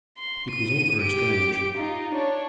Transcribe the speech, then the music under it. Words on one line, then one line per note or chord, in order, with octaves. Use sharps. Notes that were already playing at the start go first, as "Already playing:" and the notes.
It was all very strange.
C6
D#7
G4 D7
D#4 F4
D4 C#5